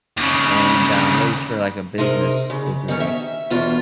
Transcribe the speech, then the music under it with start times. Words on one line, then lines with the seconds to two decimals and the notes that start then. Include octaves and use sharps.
and, um, it was for like a business degree,
0.17 D#2 C#3
1.98 C3 D#4 G#4 A#4
2.50 C#3
2.88 D#3 C#4
3.00 E5
3.50 E2 B2 A3 F4